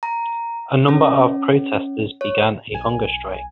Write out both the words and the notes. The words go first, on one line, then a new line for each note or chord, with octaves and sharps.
A number of protesters began a hunger strike.
A#5
C#4
C#5
B1 G#5